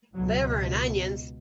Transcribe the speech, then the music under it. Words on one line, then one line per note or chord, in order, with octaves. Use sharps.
Liver and onions.
C#2 B2 F#3